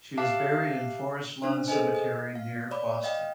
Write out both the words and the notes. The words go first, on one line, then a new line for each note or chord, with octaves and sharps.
She is buried in Forest Lawn Cemetery near Boston.
G4 E5 F5 A5 D6 F#6
C#4 D4 C5
G#4 A4 B4 C5 D#5 G#5
D#5
F5
C#5 D5 B5 D6
D#5 F5 G5